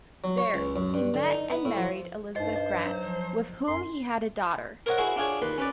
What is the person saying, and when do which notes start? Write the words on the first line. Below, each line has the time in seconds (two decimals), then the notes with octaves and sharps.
There, he met and married Elizabeth Grant, with whom he had a daughter.
0.24 F#3
0.38 C#5
0.54 C#2
0.76 F#2
0.94 G2
1.14 D3
1.32 D#4
1.50 B3
1.65 A2
1.77 F3
2.36 G2 D#4 C5 D#5
2.56 D#5
2.72 F#3
3.00 F3
3.68 F#2 C6
4.86 A#4 C5 C#5 D#5 F#5
4.98 E4 F#4 G#4 C6 C#6
5.17 D4 F4 G#4 C#5
5.42 D#2 B4 C6
5.58 C#4 B4 D5